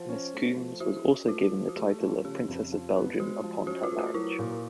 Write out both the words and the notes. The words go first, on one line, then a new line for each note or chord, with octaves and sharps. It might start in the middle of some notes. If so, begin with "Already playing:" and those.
Miss Coombs was also given the title of Princess of Belgium upon her marriage.
Already playing: F3 C5
C#4
A3
F3
E4 F#4
C#4
A3 F4
F3
F#4
A3 G4
F3
C#3 G4
F2
F3
B3
G#3 F#4
F3
C#4 F#4
F4
A3
F#4
F#3 E4
A#2